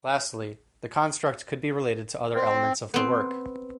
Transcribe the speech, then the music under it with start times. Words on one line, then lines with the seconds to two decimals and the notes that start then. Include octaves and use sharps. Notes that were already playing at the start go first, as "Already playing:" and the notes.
Lastly, the construct could be related to other elements of the work.
2.35 C4
2.94 B3 C4